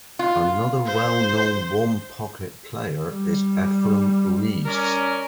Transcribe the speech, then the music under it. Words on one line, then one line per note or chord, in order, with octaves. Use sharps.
Another well-known one-pocket player is Efren Reyes.
F4
C5
G3
C#4 A#4 D5